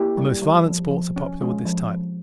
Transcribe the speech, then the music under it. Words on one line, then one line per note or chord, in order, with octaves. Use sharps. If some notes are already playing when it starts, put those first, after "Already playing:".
The most violent sports are popular with this type.
Already playing: A#3 E4 G4
G3
G3
F3
F3
C#4
G#3 C#4 F4
F3
F3